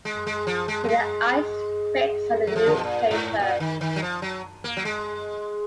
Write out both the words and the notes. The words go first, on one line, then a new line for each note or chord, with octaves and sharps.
With the eyes fixed on the newspaper.
G#3
G#3
F3
G#3
F#3
G#3
F#3
F3
D3
B2
A#2
G#2
A#2
D#3
D#3
F#3
F3
F#3
A#3
F#3
G#3